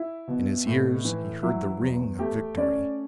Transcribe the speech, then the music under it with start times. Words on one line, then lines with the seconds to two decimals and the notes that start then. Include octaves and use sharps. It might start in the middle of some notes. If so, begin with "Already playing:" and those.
In his ears, he heard the ring of victory.
Already playing: E4
0.28 B2
0.66 A2
1.05 E3
1.43 F#3 E4
1.81 E2
2.19 A3 G4
2.57 C#4 D5